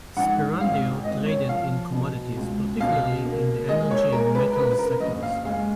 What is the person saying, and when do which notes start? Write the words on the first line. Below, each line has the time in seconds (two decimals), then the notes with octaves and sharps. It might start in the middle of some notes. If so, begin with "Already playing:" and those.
Sperandeo traded in commodities, particularly in the energy and metals sectors.
0.17 G#2 F#5
0.60 G#1 F5
1.04 G#1 D#5
1.26 C#5
1.48 F3 F5
1.92 B2
2.37 C#2
2.80 B2 F5
3.25 A#3
3.69 G#3 D#5
3.91 C#5
4.12 G#3 A#4
4.35 B4
4.50 A#4
4.56 C#3 B4
4.71 B4
4.79 A#4
5.00 F#1 D#5
5.23 F5
5.45 G#3 F5